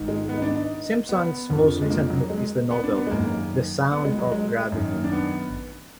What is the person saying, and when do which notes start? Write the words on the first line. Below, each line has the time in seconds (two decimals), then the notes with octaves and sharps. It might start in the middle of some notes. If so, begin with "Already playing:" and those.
Simpson's most recent book is the novel "The Sound of Gravity".
Already playing: G#2 D#3
0.08 G#3
0.29 B3
0.38 D#4
0.42 D4
0.56 D#4
1.09 B3
1.49 F2 D3
1.82 G#3
1.90 A#3
2.10 F#3
2.30 G#3
2.71 B3
2.84 D4
2.98 B3
3.07 G#3
3.11 F#2 D#3 A#3
3.92 B3
4.05 G#3
4.19 F#3
4.32 G#3
4.72 F#2 D#3
4.93 A#3
5.04 D4
5.12 B3